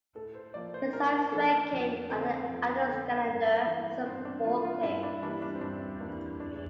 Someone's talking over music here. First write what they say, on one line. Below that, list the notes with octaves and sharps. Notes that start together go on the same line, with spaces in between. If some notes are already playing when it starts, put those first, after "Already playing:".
His highest ranking on the Adelskalender was a fourth place.
A2 A4
C5
F3 A#3 D5
C5
A2 A#4
F3 A#3 A4
F2
D3 A3 C4
F2
D3 A3
G2
E3 A#3
G2 C4
D4
E3 A#3 F4
F4
G2 E4
D4
E3 G3 A#3 D4
D4
C4
G2 D4
E3 G3 A#3 D4
A2 D4